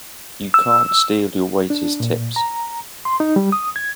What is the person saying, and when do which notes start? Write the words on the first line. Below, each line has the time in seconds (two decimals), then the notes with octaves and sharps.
You can't steal your waiters' tips!
0.54 E6
1.70 D4
2.00 A#2
2.36 A#5
3.05 C6
3.20 D#4
3.36 G3
3.52 D#6
3.76 G#6